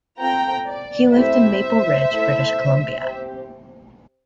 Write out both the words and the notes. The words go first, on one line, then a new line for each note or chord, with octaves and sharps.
He lived in Maple Ridge, British Columbia.
C4 F4 A4 G5 A#5
D5
A3 C4 E4 G4 C5 E5
A3 E4 A4
C4 G4